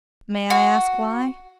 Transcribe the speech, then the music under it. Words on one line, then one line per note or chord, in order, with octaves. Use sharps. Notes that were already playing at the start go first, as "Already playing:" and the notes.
"May I ask why?"
F#4